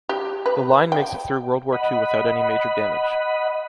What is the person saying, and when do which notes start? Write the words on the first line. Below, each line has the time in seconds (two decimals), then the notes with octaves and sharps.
The line makes it through World War II without any major damage.
0.09 G4
0.46 B4
0.92 G5
1.73 D#5 F#5 B5